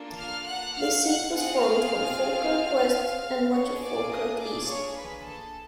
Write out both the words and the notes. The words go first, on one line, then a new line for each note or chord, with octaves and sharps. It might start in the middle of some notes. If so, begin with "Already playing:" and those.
This seat was formed from Falkirk West and much of Falkirk East.
Already playing: A#3 D4 F4 A4
F5 F6
F#5 F#6
F5 F6
F#5 F#6
C4 F4 G#4 F#5 F#6
F5 F6
F5 F6
A#3 D4 F4 G#4 C#5 C#6
D5 D6
D#5 D#6
D5 D6
C#5 C#6
B4 B5
A4 A5